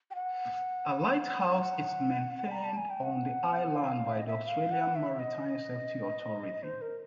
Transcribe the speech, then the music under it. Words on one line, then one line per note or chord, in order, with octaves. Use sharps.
A lighthouse is maintained on the island by the Australian Maritime Safety Authority.
G5
F#5
F5
F#5
A#5
A5
G#5
G5
F#5
F5
E5
D#5
E5
F5
F#5
E5
D#5
C5
A#4